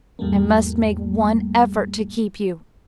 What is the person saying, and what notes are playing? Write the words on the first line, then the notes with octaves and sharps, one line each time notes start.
I must make one effort to keep you....
E2 G#2 G3 A3 A#3